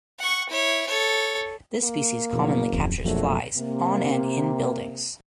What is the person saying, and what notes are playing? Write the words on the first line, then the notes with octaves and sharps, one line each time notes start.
This species commonly captures flies on and in buildings.
F#5 C#6
E4 C#5
A4 C#5
A#3
F#1 B2 F3
D1 F2
A#1 F2 B2 F#3 A3
C3 A#3